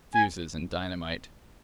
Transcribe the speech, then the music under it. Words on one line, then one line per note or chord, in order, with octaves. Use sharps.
Fuses and dynamite.
G#5